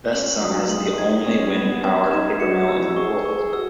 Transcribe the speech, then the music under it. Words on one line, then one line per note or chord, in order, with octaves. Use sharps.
Westzaan has the only wind powered paper mill in the world.
C#4 F#7
F#3 D#6
G#3 F#7
D#4 G#6
C#4 G#6
B3 E7
C#4 G#6
D#4 E7
F#4 C#7
F#4 E6
E4
F#4
G#4 C#6
G#4 C#6
F#4 E6